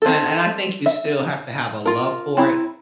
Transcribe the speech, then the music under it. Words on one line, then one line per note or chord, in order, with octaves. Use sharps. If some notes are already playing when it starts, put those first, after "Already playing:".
and and I think you still have to have a love for it.
C4 A4
E5
F4 A#4
C4 E4 A#5